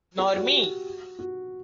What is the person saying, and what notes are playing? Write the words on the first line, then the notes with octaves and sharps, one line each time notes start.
Nor me.
G4
F#4
F#4